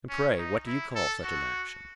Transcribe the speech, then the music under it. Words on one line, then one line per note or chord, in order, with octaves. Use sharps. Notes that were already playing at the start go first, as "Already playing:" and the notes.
"And pray what do you call such an action?"
C#4
D#4
E4
A4
F#4